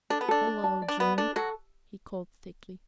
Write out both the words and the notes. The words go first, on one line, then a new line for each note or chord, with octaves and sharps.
"Hello, June!" he called thickly.
D4 A4
B3
D4 A4
D5
A5
D5
D4
B3 D5
D4 A4
F#3 F#4 A4